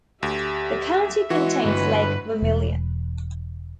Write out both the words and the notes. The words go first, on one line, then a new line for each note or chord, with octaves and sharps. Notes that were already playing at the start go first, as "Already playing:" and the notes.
The county contains Lake Vermillion.
D2 G4 E5
E3 G#3 F#4
G2 D3 B4
E1